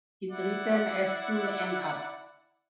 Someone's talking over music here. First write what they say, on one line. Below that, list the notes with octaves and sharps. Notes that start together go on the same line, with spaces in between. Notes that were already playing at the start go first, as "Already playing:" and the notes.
It returned as School nr.
E4 D5 F#5